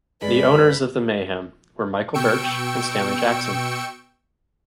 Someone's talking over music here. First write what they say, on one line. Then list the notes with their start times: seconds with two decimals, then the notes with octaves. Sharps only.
The Owners of the Mayhem were Michael Burtch and Stanley Jackson.
0.22 F#2 G#3 B4 D5 B5
2.14 B2 G5 C#6 E6 C#7 D7